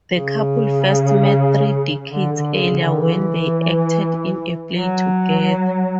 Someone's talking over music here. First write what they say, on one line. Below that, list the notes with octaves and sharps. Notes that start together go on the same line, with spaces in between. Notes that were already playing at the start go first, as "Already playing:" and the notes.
The couple first met three decades earlier when they acted in a play together.
C#3
D3
D3
C#3
D3
E3
F#3